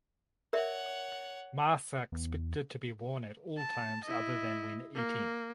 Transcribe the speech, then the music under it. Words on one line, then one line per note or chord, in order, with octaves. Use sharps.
Masks are expected to be worn at all times other than when eating.
A#4 C#5 D5 E5 F#5
E2
A5
E4 D#5
A#3